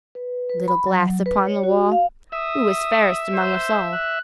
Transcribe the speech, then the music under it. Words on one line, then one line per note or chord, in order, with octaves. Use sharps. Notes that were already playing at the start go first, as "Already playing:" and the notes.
"Little glass upon the wall, Who is fairest among us all?"
B4
B4
B5
F#3
B4
C#5
F#4
F5
E5 D#6
C5
F#6